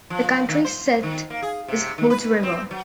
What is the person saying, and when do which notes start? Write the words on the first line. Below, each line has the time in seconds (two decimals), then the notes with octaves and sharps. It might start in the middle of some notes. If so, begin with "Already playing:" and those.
The county seat is Hood River.
0.10 F3
0.49 D#3
0.65 C5
1.03 D#3
1.30 A#3
1.42 G#4
1.68 C3
1.98 D#3
2.10 B4
2.43 C4
2.71 F#3